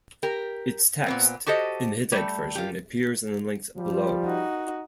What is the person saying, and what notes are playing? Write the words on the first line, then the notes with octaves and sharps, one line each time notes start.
Its text, in the Hittite version, appears in the links below.
G4 A#4
A#2 B3 C4
F#4 G4 A4 C5 D#5
G3 A3
F4 G4
F3 G3
D#4 F#4